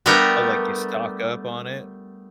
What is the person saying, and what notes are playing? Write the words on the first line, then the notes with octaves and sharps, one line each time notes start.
Oh, like, you stock up on it?
G3 A3 B3 D4 G4 A#4